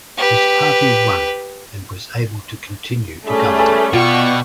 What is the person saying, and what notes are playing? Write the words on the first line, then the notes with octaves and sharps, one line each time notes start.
His party won and was able to continue to govern.
G4 B4
G3 A3 C#4 G#4
A4 B4 G#5
B2 F4 D5 F#5 G5 C#6